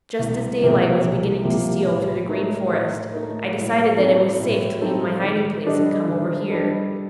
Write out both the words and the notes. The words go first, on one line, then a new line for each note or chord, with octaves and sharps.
Just as daylight was beginning to steal through the Green Forest, I decided that it was safe to leave my hiding place and come over here.
C2
C3 F3 A#3
C2
C3 F3 A#3
A2
A3 D#4 A#4
A2
A3 D#4 A#4
A2
G3 C4 D#4 A4
A2
G3 C4 D#4 A4
D#3
G3 D4 A4 D#5
D#3
G3 D4 A4 D#5